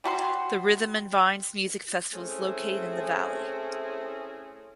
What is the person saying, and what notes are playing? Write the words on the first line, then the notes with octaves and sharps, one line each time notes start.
The Rhythm and Vines music festival is located in the valley.
G3 F#4 A4 C6
A3 C4 C#4 E4 G#4